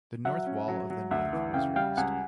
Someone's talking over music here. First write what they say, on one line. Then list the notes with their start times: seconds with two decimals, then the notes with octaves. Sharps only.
The north wall of the nave was raised.
0.25 F#3 E5 F#5
0.46 C#4
0.68 F#3
0.90 F#3
1.11 D2 E5 F#5
1.33 E3
1.54 C#3 F5 G5
1.76 G3 F5 G5
1.97 C#2 F#5 G#5